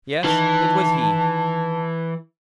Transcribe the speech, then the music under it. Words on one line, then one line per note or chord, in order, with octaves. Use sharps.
Yes! it was he.
D#3 E3 A5